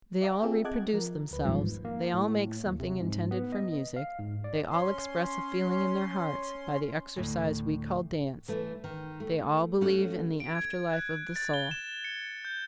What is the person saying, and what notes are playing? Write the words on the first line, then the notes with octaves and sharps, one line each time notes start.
They all reproduce themselves, they all make something intended for music, they all express a feeling in their hearts by the exercise we call dance, they all believe in the after life of the soul.
D5 E5 F5 A#5 D6
C4 F4 G#4 A4 E5 G5
D#5 F#5 A5 D6 F#6 G#6
F3 A#4
D2 B4
A1 E2 G#2 D#3 F3 G3
A#3
A2
D#2
C3
G#2
B3
D#5
F5
G#2
D5
C#4 C6
D2 A2
E3 A3
D#3
A3
A3 C#4 F#4
D7
G#6
F#6
A6
G7
E7
C#7
G6